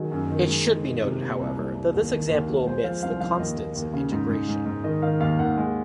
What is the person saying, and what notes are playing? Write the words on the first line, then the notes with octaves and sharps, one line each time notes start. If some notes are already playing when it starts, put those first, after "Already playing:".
It should be noted, however, that this example omits the constants of integration.
Already playing: D#3 F#3 G#4
F#2
D#3
G#3
G#3
D#3
C3
A#2
C2
C2
C2
D#2
D#3
D#2
F#3
G#3 C5
F3 F5
C2 F5
F3 F5
D#2 D#5
D#2
D#2
C#3
G#2
G#2
G#2
G#2
D#3 D#5
D#3 F5
D#2 F5
D#2 F#5
G#3